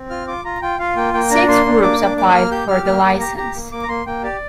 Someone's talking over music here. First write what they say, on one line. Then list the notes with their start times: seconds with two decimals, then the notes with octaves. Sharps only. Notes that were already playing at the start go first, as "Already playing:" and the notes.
Six groups applied for the license.
Already playing: C4
0.10 F4 F6
0.27 F4 D6
0.45 F4 A#5
0.62 F4 G5
0.79 F4 F5
0.96 A#3 G5
1.14 A#3 G5
1.31 D4 A#5
1.48 A#3 C6
1.66 D4
1.82 A#3 D6
2.00 D4
2.16 A#3 D6
2.34 A#3 F6
2.51 G4 G6
2.68 G4 F6
2.86 A#3 F6
3.03 A#3 D6
3.20 G4 A#5
3.37 G4 A#5
3.55 A#3
3.72 A#3 D6
3.83 A#5
3.88 A#3 C6
4.06 A#3 G5
4.23 G4 D5